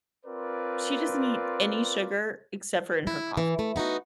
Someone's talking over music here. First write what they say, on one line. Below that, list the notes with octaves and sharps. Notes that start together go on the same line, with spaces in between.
she doesn't eat any sugar except for in her coffee.
C4 F4 A#4 B4 D5
E4
E3
A3
B3 D#4 E4 F#4